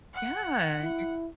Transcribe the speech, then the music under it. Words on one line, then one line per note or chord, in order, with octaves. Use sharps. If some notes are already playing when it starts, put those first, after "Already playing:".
Yeah, you're
F#5
E4